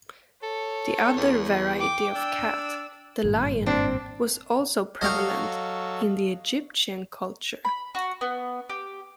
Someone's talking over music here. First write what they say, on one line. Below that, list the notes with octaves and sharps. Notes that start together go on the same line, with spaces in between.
The other variety of cat, the lion, was also prevalent in Egyptian culture.
A4 C#5
E2
G5 D6
D4 E6
G#1 G2 A#2
C4 D4
F#3 A4 D#5 F5 C#6
B5
F#4
B3
G4